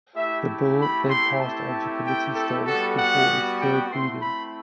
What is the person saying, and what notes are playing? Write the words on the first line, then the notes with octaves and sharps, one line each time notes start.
The Bill then passed on to Committee Stage before its third reading.
A3 E4 G4 E5
B5
C6
A3 C4 E4 G4 A5
G5
A4
G3 B3 F#4 A4
F#5
G5
A3 C4 E4 C6
B5